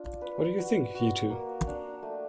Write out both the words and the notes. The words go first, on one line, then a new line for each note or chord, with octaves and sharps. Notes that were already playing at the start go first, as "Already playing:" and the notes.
What do you think, you two?
Already playing: D4 F4
B4
F#4
F#4
A#3
D4
A3